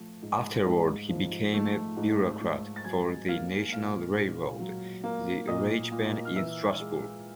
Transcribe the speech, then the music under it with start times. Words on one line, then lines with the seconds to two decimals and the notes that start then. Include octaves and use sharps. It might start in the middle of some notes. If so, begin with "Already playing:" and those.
Afterwards, he became a bureaucrat for the national railroad, the Reichsbahn, in Strasbourg.
Already playing: F3 A3
0.22 G#2
0.65 G#2
1.09 F3
1.54 A3
1.97 G#2
2.41 G#2
2.76 A6
2.84 F#3 G#5 G#6
3.28 A#3 F5 F6
3.72 A#2 F5 F6
4.17 A#2
4.60 F#3
5.04 A#3
5.48 A#2 D#5 D#6
5.92 A#2
6.25 F6
6.36 E3 E5 E6
6.80 G#3